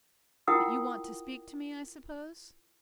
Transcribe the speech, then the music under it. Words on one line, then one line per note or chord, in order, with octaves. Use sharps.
"But you want to speak to me, I suppose?"
E4 F4 A#4 F#5 G5 D#6